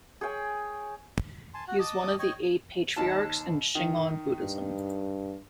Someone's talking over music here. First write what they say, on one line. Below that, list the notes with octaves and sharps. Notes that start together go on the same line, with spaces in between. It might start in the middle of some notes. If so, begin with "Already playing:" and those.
He is one of the eight patriarchs in Shingon Buddhism.
G#4 C#5 G5 G#5
G#5 A5 C6
F#4 F#5
D#5 A5 D6 D#6
C#5 D#5 G5 C#6
D#2 A5
D#3
G2